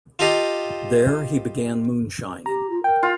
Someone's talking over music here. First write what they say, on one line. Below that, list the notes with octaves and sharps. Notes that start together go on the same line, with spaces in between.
There, he began moonshining.
F4 G4 A4 D#5 F5
G4 A#5
F4
A#4 G5
F4